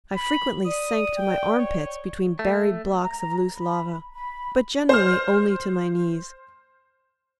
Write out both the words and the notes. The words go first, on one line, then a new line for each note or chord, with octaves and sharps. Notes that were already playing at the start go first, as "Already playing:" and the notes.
I frequently sank to my armpits between buried blocks of loose lava, but generally only to my knees.
B5
D5 D#6
G5
C#5
A3
A#5
B5
B5
C5 F6